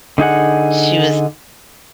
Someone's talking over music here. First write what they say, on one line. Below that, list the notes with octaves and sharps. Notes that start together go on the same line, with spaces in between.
She was
D3 D#4 G#4 F#5